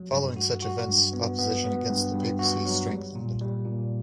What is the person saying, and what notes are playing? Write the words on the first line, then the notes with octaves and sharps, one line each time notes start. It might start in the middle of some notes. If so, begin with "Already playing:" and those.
Following such events opposition against the papacy strengthened.
Already playing: F#3
G2
F#4
F#4
G2
B3
B3
B3
G2
G2
F#4
F#3
G3
A#2
G3
A#2